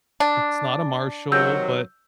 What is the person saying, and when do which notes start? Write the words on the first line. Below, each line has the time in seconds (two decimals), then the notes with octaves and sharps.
it's not a Marshall, but
0.20 D4
1.32 C3 D#3 F#3 E6 G6